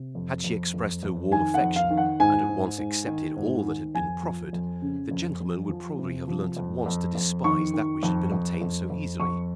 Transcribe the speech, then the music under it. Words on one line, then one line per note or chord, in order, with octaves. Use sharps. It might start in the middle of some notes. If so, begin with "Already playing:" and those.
Had she expressed her warm affection, and at once accepted all that had been proffered, the gentleman would probably have learnt at once to despise that which had been obtained so easily.
Already playing: C3
F2
F2
F2
F2
D#3 G#5
F#5
F2
F5
D#3
F#5
G#2 G#5
G#2
G#2
D#3
G#2
D#3
F2 G#5
F3
F2
C#3
F2
F2
F3
C3
F3
F2
F2
F2
D#3 C#6
D#3
F2
F2
F2
F2
F2 C#6